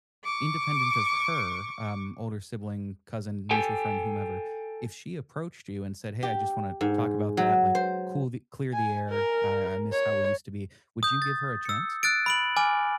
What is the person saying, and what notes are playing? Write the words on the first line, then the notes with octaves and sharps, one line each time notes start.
independent of her, um, older sibling, cousin, mutual friend, whomever, if she approached you and said, "Hey, I just wanna talk about that, like, cool the clear the air, uh, I I miss how we used to be." Would you give her a chance?
C#6 D6
A4 G5 G#5
G4
G#2
F#3
C5
G#5
A#4
C#5
D#6 G6
A6
E6 C#7
E6 F#6 A6 D7
B5 D7 F#7
G#5 D6 F6